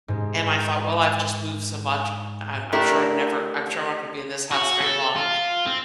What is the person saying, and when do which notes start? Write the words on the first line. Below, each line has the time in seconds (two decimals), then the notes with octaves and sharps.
and I thought, "Well, I've just moved so much, I'm I'm sure I'm never, I'm sure I'm not gonna be in this house very long."
0.08 G#2 G#3
2.72 A3 D4 E4 G4 A4 A#4
4.51 F#4
4.81 A4
5.16 F4
5.67 C4